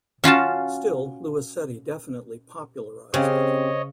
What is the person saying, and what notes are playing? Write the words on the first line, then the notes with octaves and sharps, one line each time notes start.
Still, Luisetti definitely popularized it.
C#4 F4 F#4 A5
C#3 C4 C#4 G4 C5 C#5 D#5